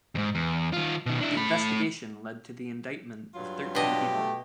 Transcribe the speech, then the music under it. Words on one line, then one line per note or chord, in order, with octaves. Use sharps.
The investigation led to the indictment of thirteen people.
E2 G#2
E2
D#3 F4
B2 D#3
D4 E4
A3 B5
G2 F#3 F4
B2 D4 G4 D#5
A3